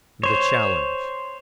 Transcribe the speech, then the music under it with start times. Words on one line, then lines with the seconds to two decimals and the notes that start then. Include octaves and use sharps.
The Challenge.
0.23 C5 C#5